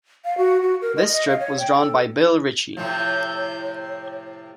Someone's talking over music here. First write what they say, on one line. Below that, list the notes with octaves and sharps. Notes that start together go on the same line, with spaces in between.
This strip was drawn by Bill Ritchie.
F5
F#4
F#4
A#4
D#5
D#5
F5
C#5
G5
A4
A2 C3 F3 C#5 G6